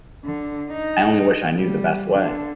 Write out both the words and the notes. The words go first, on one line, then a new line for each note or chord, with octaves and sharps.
I only wish I knew the best way!
D3
D#4
G3
D3